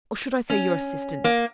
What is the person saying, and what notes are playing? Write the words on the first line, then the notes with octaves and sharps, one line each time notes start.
Or should I say your assistant?
C#4
A#3